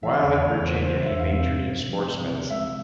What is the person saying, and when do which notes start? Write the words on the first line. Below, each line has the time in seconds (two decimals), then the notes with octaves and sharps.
While at Virginia, he majored in sports medicine.
0.03 E3 E5
0.23 E2
0.34 C#5
0.44 E2
0.65 C#3 C5
0.85 E3 C5
1.06 E2 E5
1.19 F5
1.27 C4 E5
1.47 C3
1.68 C3
1.89 F3
2.10 C4
2.30 C3
2.50 G#3 E5